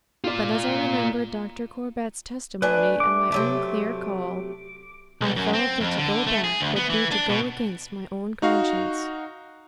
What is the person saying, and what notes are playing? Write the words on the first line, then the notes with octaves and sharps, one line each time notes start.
But, as I remembered Dr. Corbett's testimony, and my own clear call, I felt that to go back would be to go against my own conscience.
F4 D5
A3 D4 B4 G#5
D6
C3 F#3 A3
B1
F#2
C4
F2
D3
A3
G#4
D2
B3
E3
D4
B2
D#4 F#4 F5